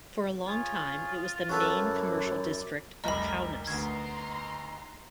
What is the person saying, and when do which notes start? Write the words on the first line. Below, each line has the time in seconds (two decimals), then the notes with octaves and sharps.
For a long time it was the main commercial district of Kaunas.
0.48 F4 G#4 C#5
1.49 F#2 E4 F#4 A4 B4 D5
3.04 F1 C2 A#4 D#5 B5
3.67 D2 B3 D#4 A#5 C6 G#6